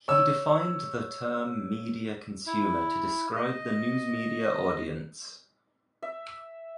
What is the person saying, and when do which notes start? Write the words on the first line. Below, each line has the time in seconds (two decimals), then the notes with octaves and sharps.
He defined the term media consumer to describe the news media audience.
0.08 C#5 E6
2.46 E4
3.35 D#5
6.02 E5